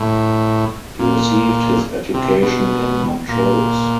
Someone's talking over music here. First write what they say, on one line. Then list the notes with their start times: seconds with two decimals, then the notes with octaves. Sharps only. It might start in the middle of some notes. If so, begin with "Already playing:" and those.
He received his education in Montrose.
Already playing: A2
0.99 A#2
2.14 C3
2.42 B2
3.28 A#2